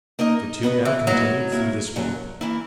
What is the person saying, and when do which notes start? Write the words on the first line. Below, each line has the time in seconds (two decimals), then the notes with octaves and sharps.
The two now continued through the swamp.
0.19 A#3 D#4 A#4 D#5
0.63 B3 F#4 B4 D#5
0.85 E3
1.07 D#3 F#3 A#3 E4 B4 D#5
1.52 A#3 E4 A#4
1.96 A#2 F#3 C#4
2.41 E3 A#3 E4